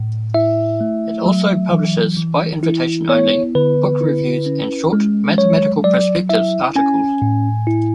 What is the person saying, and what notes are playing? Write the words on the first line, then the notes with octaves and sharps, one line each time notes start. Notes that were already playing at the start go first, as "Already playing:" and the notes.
It also publishes, by invitation only, book reviews and short "Mathematical Perspectives" articles.
Already playing: A2
E4 E5
A3
F#3
E3
E3
E4
B3 C#5
D3 B4
E4
C#4
G#3
F#3 C#5
F#3 D5
E4 E5
C#4 G#5
A2
E4